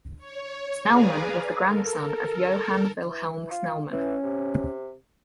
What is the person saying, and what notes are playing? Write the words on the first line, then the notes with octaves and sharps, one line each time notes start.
Snellman was the grandson of Johan Vilhelm Snellman.
C#5
G#4 B4 D5 F5 G#5 A#5
A4 A#4
E3
F4
E3 C#4
C3